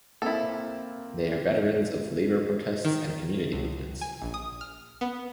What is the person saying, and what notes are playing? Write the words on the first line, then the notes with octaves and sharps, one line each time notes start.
They are veterans of labour protests and community movements.
A#3 C4 E4 A4
D#3
C#2
G#5
A#1
D#6
F6
B3